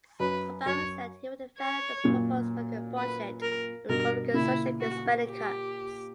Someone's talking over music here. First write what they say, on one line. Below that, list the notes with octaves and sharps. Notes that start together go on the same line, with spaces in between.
Obama said he would veto a proposed Republican budget over Republican social spending cuts.
F#2 B4
F#2 C#5
C#5
F#2 A#2
B4
A#4
G2 B2 A#4
A#2 C#3 E4
F#4
G4